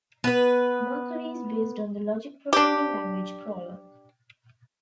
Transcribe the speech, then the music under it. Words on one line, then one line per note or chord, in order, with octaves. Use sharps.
Mercury is based on the logic programming language Prolog.
B3 B4
D4 G4